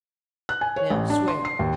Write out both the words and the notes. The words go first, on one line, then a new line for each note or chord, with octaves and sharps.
Now swear.'
F#6
G#5
C#5
A1
D4
C6
C7
D#2